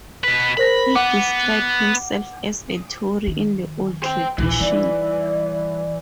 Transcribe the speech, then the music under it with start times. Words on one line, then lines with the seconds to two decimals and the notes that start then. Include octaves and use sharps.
He described himself as "a Tory in the old tradition".
0.24 B2 B4 B6
0.57 A#4 C5 B5 A#6
0.96 B3 F#5 D6
3.27 D#3
4.03 C5 G5
4.38 A#1 D#2 E3
4.60 G3 D#4 D5